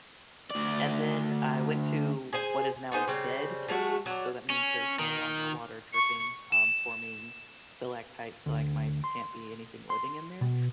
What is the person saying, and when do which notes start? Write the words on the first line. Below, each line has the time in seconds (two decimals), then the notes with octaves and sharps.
and then I went to what is now a dead cave, so that means there's no longer water dripping, um, forming stalactites, stalagmites, there can't be anything living in there,
0.50 D2 D5
2.33 G#4 C5 G#5
2.92 B3 D#4 G#4 C5
3.07 C#3 G3 C4
3.68 F3 G#3 A3 F#4
4.06 F#3 D4
4.50 C#4
4.99 D#3
5.94 C#6
6.52 E7
8.46 D2
9.04 C6
9.90 C6
10.41 B2